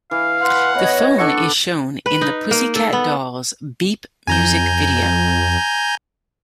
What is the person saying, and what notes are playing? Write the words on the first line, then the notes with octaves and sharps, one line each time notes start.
The phone is shown in the Pussycat Dolls' "Beep" music video.
E3 F5
B4 F#5 C6
B3 C#5 D#5
D4 A4 F#5 C#6
B4
D#4
A#3
A4
B3
F2 G#5 A#5 G6